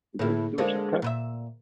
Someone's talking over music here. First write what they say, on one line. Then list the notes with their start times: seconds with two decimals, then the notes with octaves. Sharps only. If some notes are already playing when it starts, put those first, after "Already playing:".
The Great Believers, okay.
0.19 A2 D3 A#3 E4 G#4
0.58 D3 G#3 D4 A#4 C5 F5
1.02 A#2 B4 E5